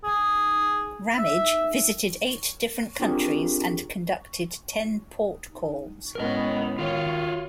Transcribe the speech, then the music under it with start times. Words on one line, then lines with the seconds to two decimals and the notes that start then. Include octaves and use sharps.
"Ramage" visited eight different countries and conducted ten port calls.
0.04 G#4
1.18 E5
3.00 C4 D4 F4 G4 G#4 A#4
6.15 A2 G#3 B3 C#4 A#4 D#5
6.78 D#3 F4 F#4 C#5 F5